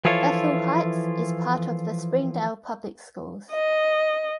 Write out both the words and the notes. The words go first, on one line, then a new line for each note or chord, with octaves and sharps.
Bethel Heights is part of the Springdale Public Schools.
E3 F3 E4 F4 A4 C#5
D#5